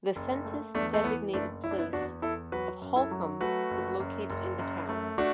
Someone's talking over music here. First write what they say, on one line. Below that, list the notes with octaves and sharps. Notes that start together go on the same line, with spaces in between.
The census-designated place of Holcombe is located in the town.
F#1
A3
E2 A3 D4
A3
E3 B3
F#1 A3 D4
F#1 E4
D4
B3 E4
E2 D4 F#4
E2 E4 A4
F#3 F#4 B4
F#2
E4 A4
F#3
A3 F#4 B4
F#1
F#2
F#1
F#2
A3
A3 D4 F#4